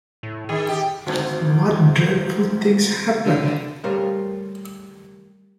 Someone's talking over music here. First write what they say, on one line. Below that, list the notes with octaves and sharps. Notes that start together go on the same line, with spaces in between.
What dreadful things happened?
A2
D#3 G#4
G4
G#1 D2
D3
G3 A3 A#4 C5 C#5 F5